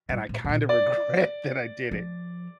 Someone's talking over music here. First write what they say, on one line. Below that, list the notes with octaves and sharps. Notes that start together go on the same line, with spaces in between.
and I kind of regret that I did it.
G2
A2
A2
A#2
D5
F3